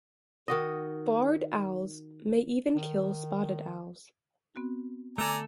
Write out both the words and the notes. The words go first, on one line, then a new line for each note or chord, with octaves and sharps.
Barred owls may even kill spotted owls.
D#3 F#4 D#5
D#3
B3 C4 F#4
D3 A3 A4 D5 G#5 A#5